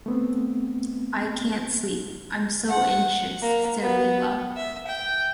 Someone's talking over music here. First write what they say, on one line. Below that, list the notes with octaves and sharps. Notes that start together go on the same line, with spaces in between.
"I can't sleep, I'm so anxious," said Leila.
A3 B3 C4
F#5
A#3
B3
E5
G5